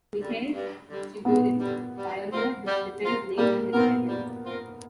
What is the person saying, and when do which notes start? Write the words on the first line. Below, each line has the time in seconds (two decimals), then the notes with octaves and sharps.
Mikhail Chigorin pioneered this defense late in his career.
0.18 D3 G3
0.54 G2
0.90 D3 G3
1.25 G2 B3
1.60 D3 G3
1.96 G3
2.31 C4 F4 A#4
2.67 G3
3.02 C4 F4 A#4
3.38 G3 A#3
3.73 B3 C4 F4 A#4
4.08 G3
4.44 C4 F4 A#4